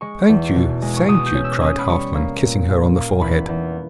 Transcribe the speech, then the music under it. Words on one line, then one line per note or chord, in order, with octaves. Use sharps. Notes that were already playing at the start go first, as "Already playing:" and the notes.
'Thank you, thank you!' cried Halfman, kissing her on the forehead.
G#3 C#6
E2
B2
G#3
C#6
B2 D#6
G6
C#4
E6
C#4 D#6
B5
G3 C#6
A#3
A#2
A#2
A#3
E2 B5
E2